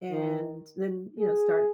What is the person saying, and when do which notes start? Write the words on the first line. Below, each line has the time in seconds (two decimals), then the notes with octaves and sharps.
and then, you know, start
0.11 D#3
1.19 G#4